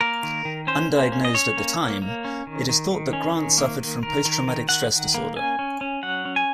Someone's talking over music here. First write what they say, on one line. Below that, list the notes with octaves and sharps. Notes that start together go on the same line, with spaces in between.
Undiagnosed at the time, it is thought that Grant suffered from post-traumatic stress disorder.
A#3 A#4
D#3
D#3
C#4 C5
A#3
C#4
D#5
C#4 C#5
A#3
A#3
A#3
C#4
D#3
D#3
D#3
C#4
D#3
A#3
D#3
D#3 A#4
D#3
D#3
D#3 F#5
D#3
A#3
C#4 G#5
C#4
C#4
F#3 F#5
C#4
G#5